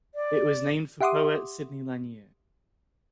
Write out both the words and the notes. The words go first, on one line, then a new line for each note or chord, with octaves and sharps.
It was named for poet Sidney Lanier.
D5
G4 E5 F#5 C6 D6 D#6